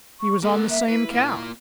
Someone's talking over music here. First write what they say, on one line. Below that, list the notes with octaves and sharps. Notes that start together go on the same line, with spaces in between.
He was on the same couch.
C#6
A#3 A4 F#5
E5
E4 B4
A#3 F4